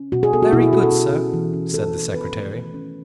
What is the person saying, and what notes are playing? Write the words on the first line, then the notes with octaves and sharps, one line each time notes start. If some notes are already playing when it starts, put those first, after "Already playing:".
"Very good, sir," said the secretary.
Already playing: C#4
B2 F#4
G#4
B3 A4
F#4
B2 E4
E4
C#4 F#4
A4
B2
C#4
E3
C#4
E3 A4
E3
D#3 B4
A3
E3
C#4